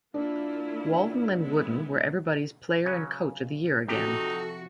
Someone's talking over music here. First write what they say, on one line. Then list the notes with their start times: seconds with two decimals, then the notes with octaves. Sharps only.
Walton and Wooden were everybody's Player and Coach of the Year again.
0.14 A#3 D4 E4 F4
1.41 G#3 B3 E4
2.85 C#3 F#3 C#4
3.88 C3 F3 D#4 F#4 G4 A4